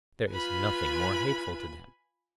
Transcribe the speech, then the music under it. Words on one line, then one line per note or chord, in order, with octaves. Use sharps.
There is nothing more hateful to them.
F4 B4 G#5 B5